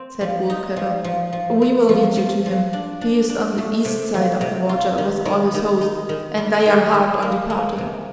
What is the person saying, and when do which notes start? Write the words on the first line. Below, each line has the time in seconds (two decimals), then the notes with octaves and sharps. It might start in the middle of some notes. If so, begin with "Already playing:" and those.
Said Wolfkettle, "We will lead you to him; he is on the east side of the water, with all his host, and they are hard on departing."
Already playing: C4
0.21 F3
0.50 D#4
0.76 F3
1.04 F3
1.33 F3
1.62 C4
1.89 F3
2.17 F3
2.46 F3
2.73 D4
3.01 D4
3.29 D4
3.58 A3
3.85 C3
4.14 F3
4.41 C3
4.69 F4
4.98 D#3
5.25 D#3
5.54 D#3
5.81 D#4
6.09 D#3
6.37 G3
6.66 D#3
6.94 D#3
7.22 A#3
7.50 A#3
7.78 C3